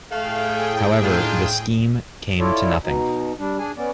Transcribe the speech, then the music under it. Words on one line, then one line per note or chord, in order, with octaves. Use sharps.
However, the scheme came to nothing.
A2 A3 G#4 F5 G5
D4 D#4 F4
E4 F4 A4 C#5 D5
B2 D#4
G3 D4
D4 G#4 G#5
B3 C#4 D5